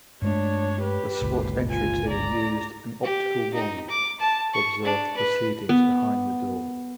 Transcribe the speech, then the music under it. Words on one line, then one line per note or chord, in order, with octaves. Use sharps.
The S.W.A.T. entry team used an optical wand to observe the proceedings behind the door.
G2 G#3 A3 D4 C#5
G4 B4
G1 C#2 A#2
F4 G#5
D5 A#5
G4
D#4
D6
A5
C#6
D4
B4
B3